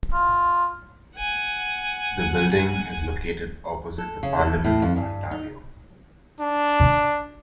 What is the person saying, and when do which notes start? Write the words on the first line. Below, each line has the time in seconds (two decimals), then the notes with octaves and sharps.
The building is located opposite the Parliament of Ontario.
0.13 F4
1.16 F#5 G#5
3.98 A4
4.23 C#3
4.40 A4
4.64 A2
4.82 F2
4.96 G2
5.31 D#4
6.40 D4